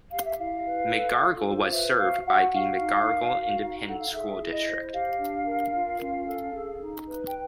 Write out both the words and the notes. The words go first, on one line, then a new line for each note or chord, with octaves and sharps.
Megargel was served by the Megargel Independent School District.
G4 F5
E5
E4 F5
B4
A4
F4
C5
F5
B4 E5
F#4 F5
F#4 F#5
F#4 F5
D#4
A#4
F#4
D#4
A4 F#5
F5
G#4 E5
E4
D#5
C5
G4 F5
D4
A#4
F4
C#4
A4
G#4
D#4
B4
G5